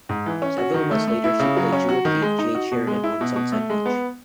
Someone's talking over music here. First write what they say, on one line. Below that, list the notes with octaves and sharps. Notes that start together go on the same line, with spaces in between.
Several months later, she played jewel thief, Jade Sheridan, on "Sunset Beach".
G#2
E3
C#4
F#4
D#3
A3
A3
E4
C#3
F#3
C#4
F#4
D#3
G#3
D#4
F#4
B2
G#3
E4
B2
B2
A3
G#3
B3